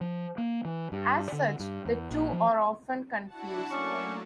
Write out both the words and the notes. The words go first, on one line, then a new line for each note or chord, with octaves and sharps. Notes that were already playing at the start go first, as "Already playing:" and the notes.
As such, the two are often confused.
F3
A#3
E3
G2
D3
G2
E2
A#1
F3
D4 E4 F#4 F#5 A5
F#3 A3 A#3 C#4 D5 C#6